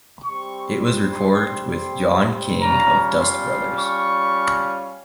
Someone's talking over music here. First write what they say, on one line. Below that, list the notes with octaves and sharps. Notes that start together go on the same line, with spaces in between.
It was recorded with John King of Dust Brothers.
G3 C4 G4 C#6
C6
G3 C#4 F4 A#5
C6
C#6